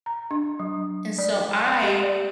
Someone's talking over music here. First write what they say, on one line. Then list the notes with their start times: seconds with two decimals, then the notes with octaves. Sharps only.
and so I
0.06 A#5
0.31 D4
0.59 F#3
1.18 D5
1.83 G4
2.03 D5